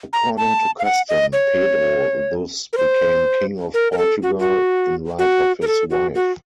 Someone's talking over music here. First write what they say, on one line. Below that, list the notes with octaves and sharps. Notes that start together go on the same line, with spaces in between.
According to custom, Pedro thus became king of Portugal in right of his wife.
A#5
A5
F5
F#5
D#5
C#5
A#4
C5
A#4
A#4
A4
F#4
F#4
F#4
A#4
A4
F#4
F#4